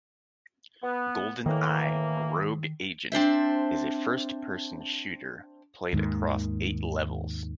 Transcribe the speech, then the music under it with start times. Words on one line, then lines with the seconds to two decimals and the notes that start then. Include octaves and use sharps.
"GoldenEye: Rogue Agent" is a first-person shooter, played across eight levels.
0.83 B3
1.46 A2 D#3 E3 A#3
3.12 C4 D4 C5 E5
5.93 D#2 G#2 D#3